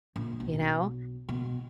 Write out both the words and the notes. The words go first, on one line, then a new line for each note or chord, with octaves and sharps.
you know?
A#1
B1
B2